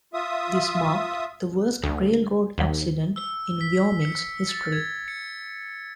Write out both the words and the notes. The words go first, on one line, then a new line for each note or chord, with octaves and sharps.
This marked the worst railroad accident in Wyoming's history.
F4 E5 D#6
D2
D#2
E6
B6
C#7
A6
G#6
C#7